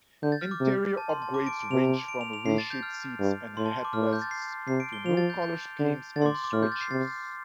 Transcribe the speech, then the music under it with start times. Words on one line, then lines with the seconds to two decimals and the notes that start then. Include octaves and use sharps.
Interior upgrades ranged from reshaped seats and headrests, to new colour schemes, and switches.
0.23 D3 G6
0.32 A6
0.41 F6
0.51 D6
0.60 C3
0.97 A5
1.09 C6
1.22 A5
1.34 D6
1.46 D7
1.60 D7
1.71 C3 F7
2.08 D7
2.21 F7
2.33 F7
2.45 A2 C7
2.58 A6
2.70 G6
2.83 F6
3.20 G2
3.57 A2 C6
3.66 A5
3.76 C6
3.85 D6
3.93 A2 F6
4.03 D6
4.13 G6
4.22 A6
4.31 C7
4.68 C3 C7
4.80 D7
4.93 G7
5.05 F3 F7
5.17 A6
5.30 G6
5.42 G6
5.80 D3
6.16 D3 A6
6.22 C6
6.26 D6
6.35 C6
6.44 D6
6.53 A2 F6
6.63 G6
6.72 A6
6.81 C7
6.91 C3 A6